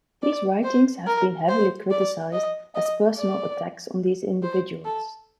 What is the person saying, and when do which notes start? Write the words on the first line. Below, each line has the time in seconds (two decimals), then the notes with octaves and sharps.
These writings have been heavily criticized as personal attacks on these individuals.
0.23 D5
0.64 C5
1.07 A#4
1.48 C5
1.91 D5
2.33 D#5
2.75 D#5
3.17 D5
4.43 C5
4.85 A4